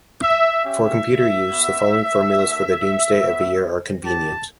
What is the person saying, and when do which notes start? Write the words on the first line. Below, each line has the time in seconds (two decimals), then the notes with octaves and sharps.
For computer use, the following formulas for the doomsday of a year are convenient.
0.23 E5
0.64 C#4 G4 E5
1.49 B3 F#4
2.35 A3 D4 F#4
3.19 B3 F#4
4.04 C#4 G4 A5